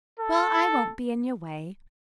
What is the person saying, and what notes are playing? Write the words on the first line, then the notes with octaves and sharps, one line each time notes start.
Well, I won't be in your way.
A4